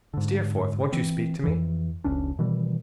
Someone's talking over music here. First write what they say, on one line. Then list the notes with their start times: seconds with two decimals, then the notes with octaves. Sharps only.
'Steerforth! won't you speak to me?'
0.14 G#2 D3
0.92 E3 C4
1.44 F2 E3
2.04 F1 C#2 C#4 D4
2.39 B2 D#3 E3 G3